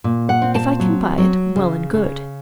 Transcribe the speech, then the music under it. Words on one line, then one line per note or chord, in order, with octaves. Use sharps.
If I can buy it, well and good.
A#2
F#5
C4
A5
F#3
F#3
C#3
C#3